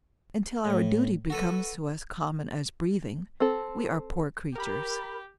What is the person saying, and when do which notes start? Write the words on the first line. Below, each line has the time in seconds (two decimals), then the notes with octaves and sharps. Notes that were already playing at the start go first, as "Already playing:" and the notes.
Until our duty becomes to us common as breathing, we are poor creatures.
0.65 A2
1.30 F#4 A4 B4
3.40 C4 A4
4.55 G4 A#4 B5